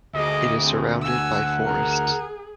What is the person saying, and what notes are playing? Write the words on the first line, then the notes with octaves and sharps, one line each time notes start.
It is surrounded by forests.
D2 G#4 D#5 D6
C4 G#4
F#5 G#5 E6
G#4 A#4